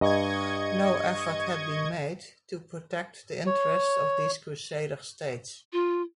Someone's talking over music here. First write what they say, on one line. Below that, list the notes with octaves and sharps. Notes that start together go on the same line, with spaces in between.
No effort had been made to protect the interests of these Crusader states.
G2 D#5 C#6 G#6
C#5
F4